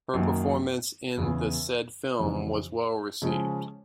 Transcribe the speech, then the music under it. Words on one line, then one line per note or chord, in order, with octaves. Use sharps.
Her performance in the said film was well received.
F#2 D#3 F#3 A#3
E2 C#3 E3
F2 C#3 E3 G3
C#3 F3 G#3 C#4